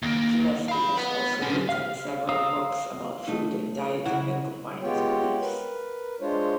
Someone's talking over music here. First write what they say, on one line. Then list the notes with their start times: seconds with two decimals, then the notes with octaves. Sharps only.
Gillespie has also written several books about food and dieting that combine his beliefs.
0.03 D#2 A#3
0.68 F5 B5
0.98 B3
1.42 D3 C#4
1.69 F5 F6
2.29 F5 A#5 D#6 E6
3.28 A3 D#4
4.05 C#3 E4 F#5
4.82 G#3 B3 F4 G4 C#5 G5
5.41 A#4 B4
6.21 G#3 D4 F4 C5 C#5